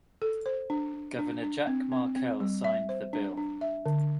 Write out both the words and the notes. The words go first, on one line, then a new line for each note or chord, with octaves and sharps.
Governor Jack Markell signed the bill.
A4
C5
D4
D4
D4
D4
C4
C4
C4
G3
E5
C5
D4
D4
E5
D3